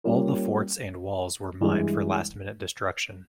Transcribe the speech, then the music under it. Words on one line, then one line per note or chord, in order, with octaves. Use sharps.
All the forts and walls were mined for last-minute destruction.
G3 A#3 C#4 F4 A#4
G2 E3 G#3